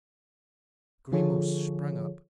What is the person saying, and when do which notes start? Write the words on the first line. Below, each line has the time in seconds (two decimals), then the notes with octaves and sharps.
Grimaud sprang up.
1.12 D3 F3 F4 G#4 A4 C#5